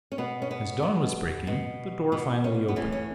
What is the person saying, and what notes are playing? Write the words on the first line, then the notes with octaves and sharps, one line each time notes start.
As dawn was breaking, the door finally opened.
C#4
B2 B3
C#4
B3
B2
B2
B2 B3
C#4
B3
A2 E3 C#4
C#4